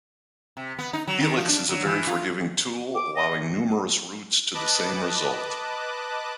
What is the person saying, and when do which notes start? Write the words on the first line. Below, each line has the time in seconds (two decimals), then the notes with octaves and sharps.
Helix is a very forgiving tool, allowing numerous routes to the same result.
0.57 C3
0.78 B3
0.93 D#4
1.07 F#3
1.21 D#3
1.37 F3
1.48 D4
1.69 F#3
1.86 E3
2.07 F4
2.95 D6
3.15 D#5
4.54 B4 D#5 A5 D6 F#6